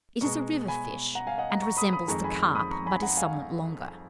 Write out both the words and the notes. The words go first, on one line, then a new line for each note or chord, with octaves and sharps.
It is a river-fish, and resembles the carp, but is somewhat longer.
B2 G#3 A#5 C#6
G#5 B5
F#5 A#5
F5 G#5
D#5 F#5
F#5 A#5
A#5 C#6
B5 D#6
B5 D#6
F2 D#3 G#3 A#5 C#6
G#5 B5
B5 D#6
A#5 C#6
G#5 B5
F#5 A#5
F5 G#5